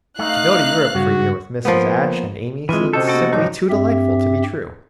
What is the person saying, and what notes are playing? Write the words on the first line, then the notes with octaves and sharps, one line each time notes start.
To go to Europe for a year with Mrs. Ashe and Amy seemed simply too delightful to be true.
A3 D#4 F5 F#6
G2 C#3 F#4
F3 A#3 B3
E3 G#3 C4 F4
C3 C#4 F#4 A4 D#5 G6
A#3 B3 F#4 G4 A4
G2 F3 D#4 F#4 C#5 D6
G2 C4 G4 E5